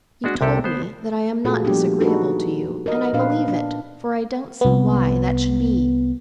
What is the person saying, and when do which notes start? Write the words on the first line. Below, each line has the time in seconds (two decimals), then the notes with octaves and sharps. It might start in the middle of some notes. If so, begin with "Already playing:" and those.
You told me that I'm not disagreeable to you, and I believe it; for I don't see why that should be.
0.24 G#3 D4 F#4
0.41 C2 C3 G4 A4
0.64 B3 C5
1.44 A#2 A3 F4 F#4 G#4 A4
1.65 F3 G3 A#3 B3 D4 G4
2.00 D4 D#4 F#4 G#4 A4 B4
2.86 A#4 D#5
3.13 A#2 B3 D4 B4 F5
3.48 D4
4.61 C2 B3